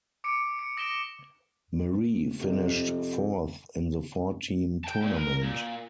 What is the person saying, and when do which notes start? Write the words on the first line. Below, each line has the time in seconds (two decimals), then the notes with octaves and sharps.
Marie finished fourth in the four team tournament.
0.24 D6 C#7 D7
0.59 C#7
0.77 D#6 A#6 D7 E7 G7
2.34 F2 C3
4.84 G5 A5
5.02 A#2
5.15 A#4 B4
5.43 A#2